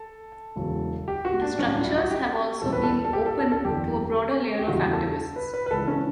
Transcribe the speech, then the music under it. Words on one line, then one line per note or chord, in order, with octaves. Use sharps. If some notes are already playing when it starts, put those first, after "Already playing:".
The structures have also been "open" to a broader layer of activists.
Already playing: A4
E1 E2 C#3 F#3
G4
F#4
D4
D4
B1 A2 G3 C#4
D4
F#4
E4
F#4
G4
E2 B2 G3 A4
B4
A4
A4
G4
A4
A4
A4
F#1 E2 D3 G4
G4
E2 C#3 G3 F#4
A4
B4
B4
B4
C#2 C#3 E3 A4
C#4